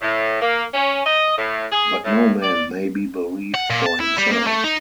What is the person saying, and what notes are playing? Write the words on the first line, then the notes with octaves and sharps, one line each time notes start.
But no man may be believed for himself.
A2
A#3
C#4
D#5
A2
G#4
A2
D5
F#5
A#2
A5
E4
G3
A#3
A3
D#4